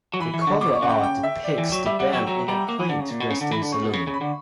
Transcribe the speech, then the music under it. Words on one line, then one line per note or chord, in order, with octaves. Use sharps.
The cover art depicts the band in a quaint western saloon.
F#3
E3 B5
E3
C#6
D3
B2 D6
C#6
C#3 F#5
G5
G5
E5
D5
E3
F#3
G3 E5
G3 F#5
F#3 G5
F#3 A#5
G3 A#5
A#3
E3
D3
C#3
A#2
B2
C#3
D3
E3 B5
D3
C#3 C#6
B2
C#3
C#3
B5
D3